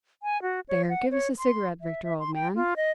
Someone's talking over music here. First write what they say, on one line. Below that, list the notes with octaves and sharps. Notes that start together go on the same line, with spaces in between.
There, give us a cigarette, Victor, old man.
G#5
F#4
C#5
F#5
C#5
C6
E5
E5
C6
G5
F4
D#5